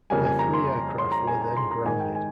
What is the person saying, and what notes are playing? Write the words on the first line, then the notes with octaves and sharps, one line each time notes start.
The three aircraft were then grounded.
F2 C#3 G3 A#3 G#5
G#5
A#5
C6
C6
A#5
G#5
G#5
C6
A#5
G#2 D#3 G#3 G#5
G5
G#5